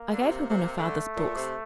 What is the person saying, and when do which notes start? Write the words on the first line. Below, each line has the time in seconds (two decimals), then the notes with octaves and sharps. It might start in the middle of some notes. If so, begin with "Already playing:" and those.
I gave her one of father's books.
Already playing: A#3
0.13 D3
0.20 C3
0.50 C3
0.78 D3 A3
1.17 A#2
1.36 C3